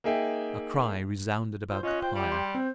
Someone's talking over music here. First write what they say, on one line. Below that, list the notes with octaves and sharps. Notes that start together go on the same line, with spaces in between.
A cry resounded about the pyre.
A#3 D#4 G#4 E5 G5
F4 C5
C#4 F4 D#5 F#6
C5 G5
G3 G4
C6
C4 C5